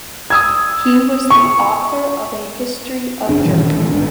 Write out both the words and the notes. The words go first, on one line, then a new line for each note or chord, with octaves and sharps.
He was the author of a history of Germany.
D#6 E6 G#6
C#6
F#1 C#3 D4
G2 A#2 D#3 E3
A1 D3
G#1 G#2 D3